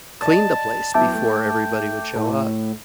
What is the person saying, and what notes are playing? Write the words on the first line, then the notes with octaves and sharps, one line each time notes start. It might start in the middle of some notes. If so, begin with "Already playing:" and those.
clean the place before everybody would show up.
D5 D#5 A5
F#3 B3 E4 E5 G5 A5 D6
A3
A2